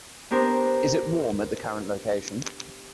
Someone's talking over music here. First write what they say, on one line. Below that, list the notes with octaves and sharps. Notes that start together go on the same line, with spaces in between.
Is it warm at the current location?
B3 D4 G4 A#4 C5